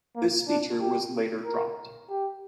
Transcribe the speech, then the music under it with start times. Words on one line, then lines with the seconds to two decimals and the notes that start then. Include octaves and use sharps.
This feature was later dropped.
0.16 A#3
0.48 D4
0.80 G4
1.45 A#4
2.10 G4